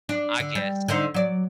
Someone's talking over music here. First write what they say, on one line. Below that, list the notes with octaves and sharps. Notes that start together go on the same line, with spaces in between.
I guess.
D4
D3
G3
D3 D#4 C5
F#3 D5